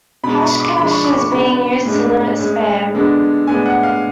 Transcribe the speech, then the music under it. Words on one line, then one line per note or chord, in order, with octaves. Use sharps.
Hashcash is being used to limit spam.
B2 G#3 D4 B5
C#6
D6
F3 G#3 D4 B5
C#6
D6
C#6
C#3 F#3 B3 D4 B5
A2 G#3 D4
A2 G#3 C#4
D3 G#3 B3 D4
A2 G#3 B3 D4 G#5
F#5
F5